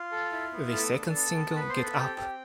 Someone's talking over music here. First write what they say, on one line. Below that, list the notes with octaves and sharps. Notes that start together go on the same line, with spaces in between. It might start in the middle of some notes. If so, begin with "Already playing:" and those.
The second single Get Up!
Already playing: F4 F5
A4
E4
B3
A3 A4 A5
D4
B3
B3
B3 B4 B5
C5 C6
A4
B4 B5
C4 G4 G5
G4